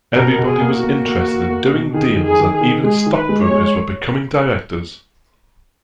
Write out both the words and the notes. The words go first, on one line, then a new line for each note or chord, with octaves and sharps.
Everybody was interested in doing deals and even stockbrokers were becoming directors.
B2 A#4
B2
G#4
A#3
F#4
A#3
A#3
A#3
A#3
B2
D#3 G#4
D#3
G#4
D#3
G#4
D#3
G#3 G#4
D#3
B4
G#3
C#5
G#3